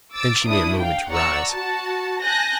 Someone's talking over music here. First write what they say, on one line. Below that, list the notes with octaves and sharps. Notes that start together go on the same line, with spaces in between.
Then she made a movement to rise.
D6 E6 A6 D7
D4 E4 D#6
F5 G5
D5 F#5 A#5 C#6 E6
F#4 A5
G#5 A5 F#6 G6 A#6